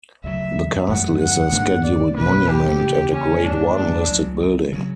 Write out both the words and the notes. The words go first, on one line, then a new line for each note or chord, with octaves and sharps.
The castle is a scheduled monument and a Grade One listed building.
D2 C#3 F#3 E5
F#2 E3 G3 F#5
F#5
G2 D3 A#3 D4
D5
B1 B2 A#3 B4
G4
E2 C#3 E3 A#3
C#4
G2 D3 A#3 D4
D4
C#2 C#3 F#3
C#3 F#3